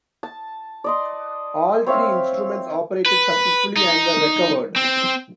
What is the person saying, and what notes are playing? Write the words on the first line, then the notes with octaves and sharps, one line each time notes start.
All three instruments operated successfully and were recovered.
A5
D5 D#5 C6
C4 C#5 E5 F5
B4
D#4
C4